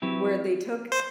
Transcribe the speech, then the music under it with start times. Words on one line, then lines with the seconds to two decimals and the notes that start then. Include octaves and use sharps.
where they took
0.02 F#3 C4 E4 G4 B4
0.92 C5